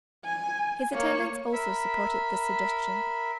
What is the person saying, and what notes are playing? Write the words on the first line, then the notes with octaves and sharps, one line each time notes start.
His attendants also supported this suggestion.
G#5
A#3 C#5
A#4 E5 B5